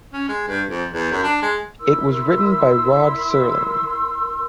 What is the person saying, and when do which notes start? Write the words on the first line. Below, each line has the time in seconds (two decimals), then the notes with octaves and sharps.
It was written by Rod Serling.
0.13 C#4
0.29 G#3
0.48 G2
0.69 F2
0.93 E2
1.12 F#2
1.23 D4
1.42 G#3
1.80 E4 A#4 C6 E6